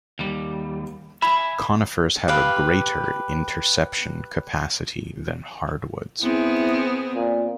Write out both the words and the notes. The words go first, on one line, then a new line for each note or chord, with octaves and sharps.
Conifers have a greater interception capacity than hardwoods.
D#2 G3
E5 G#5 B5
G4 B4 F5
B3 C4 E4 G#4
A#2